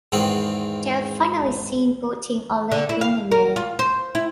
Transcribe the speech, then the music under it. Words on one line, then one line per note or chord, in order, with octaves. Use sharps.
They are finally seen boating on Lake Windermere.
E2 G#2 D#3 C4 F#5
D3
E4
F5
A#4
F4
C5
E4